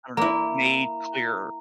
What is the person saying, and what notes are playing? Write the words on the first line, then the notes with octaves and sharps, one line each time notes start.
I don't know, made clear
A#3 E4 A#5